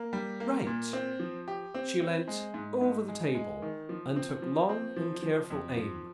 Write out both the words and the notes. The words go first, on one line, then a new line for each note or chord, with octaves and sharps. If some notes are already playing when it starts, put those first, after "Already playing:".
"Right." She leant over the table and took long and careful aim.
Already playing: A#3
G3
A#3
A#2
C4
F3
G4
C4
C4
G#3
G#2
G#2
G#3
G#3
D#3
F3
C4
F3
C4
F3
F3
F2
F3